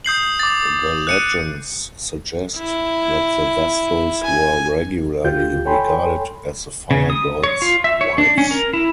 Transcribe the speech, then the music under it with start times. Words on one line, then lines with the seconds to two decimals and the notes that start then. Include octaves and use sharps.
The legends suggest that the Vestals were regularly regarded as the fire-god's wives.
0.05 D#6 G6 C7 F#7
0.39 D6 A6
1.07 F#6 C#7 D#7
2.57 E4
4.24 G#5
5.24 D2 F4 G4 G6
5.65 A4 C#5 G5 G#5 B5 C6
6.91 C#3
7.10 D#6
7.43 C#5
7.62 F4
7.84 E5
8.01 C#5
8.18 D4
8.38 C#4
8.51 A#4
8.73 E4